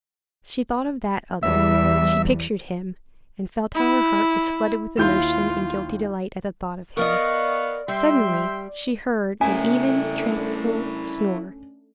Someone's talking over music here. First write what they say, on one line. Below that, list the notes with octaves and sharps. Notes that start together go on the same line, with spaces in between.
She thought of that other; she pictured him, and felt how her heart was flooded with emotion and guilty delight at the thought of him. Suddenly she heard an even, tranquil snore.
E2 G3 E5
E4
D#2 E4 F4 G6
B3 A#4 D5 D#5 F5 C#6
G3 E5 G5 C6
A3 C#4 D4 E4 A#4 G#5